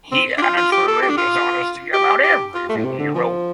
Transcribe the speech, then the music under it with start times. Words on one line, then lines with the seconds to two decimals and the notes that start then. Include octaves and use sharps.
He had a tremendous honesty about everything he wrote.
0.12 C4
0.38 D4
0.42 F4
0.57 F4
0.72 G4
0.88 A4
1.02 G4
1.10 D4
1.18 F4
1.93 G4
2.23 G4
2.54 F4
2.69 A3
2.77 A2
2.85 C3
2.99 D3
3.15 F3